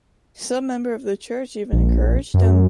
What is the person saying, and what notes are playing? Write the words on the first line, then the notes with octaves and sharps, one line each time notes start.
Some member of the church even encouraged him.
A#1
F#2